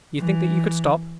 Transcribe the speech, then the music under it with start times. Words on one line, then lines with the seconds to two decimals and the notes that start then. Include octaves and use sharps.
You think that you could stop?
0.18 E3